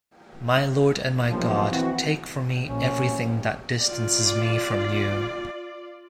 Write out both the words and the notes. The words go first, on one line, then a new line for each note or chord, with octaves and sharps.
My Lord and my God, take from me everything that distances me from you.
B1 G2 A#2 F3
E3 C4 F#4
A#1 C#4
F4 D5